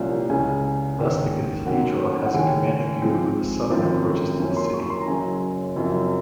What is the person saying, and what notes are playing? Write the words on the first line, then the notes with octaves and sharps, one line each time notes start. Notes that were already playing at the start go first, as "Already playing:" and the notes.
Thus the cathedral has a commanding view of the southern approaches to the city.
Already playing: C2 A#2 F3 A#3 C#4
C#2 C#3 G#3 G#5
G#2 D#3 A#3 C#4
F#2 D#3 F#3 A#3 C#4 F#5
F#5
D#2 C#3 G#3 C#4 G#5
G#5
G#2 F3 G#3 C4
G#1 F#2 F3 C4
F#2 F3 A#3 C#4
C6
C#6
C6
A#5
F#1 F#2 C#3 F#3 G#5
F#1 F#2 F3 C4